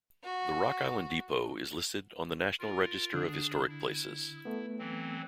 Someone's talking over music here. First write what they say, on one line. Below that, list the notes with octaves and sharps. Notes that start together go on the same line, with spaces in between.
The Rock Island Depot is listed on the National Register of Historic Places.
F#4
F4 A#4
D3 D4 G#4
E4
A3 B3
E3 F#3 C4